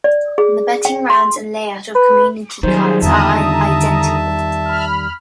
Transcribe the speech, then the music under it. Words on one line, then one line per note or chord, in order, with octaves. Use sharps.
The betting rounds and layout of community cards are identical.
D5
G#4
G5
C6
B4
D#3 F#3 G3 G#4 C5
E2 D3 E5 A5 A#5 D#6
B5 F6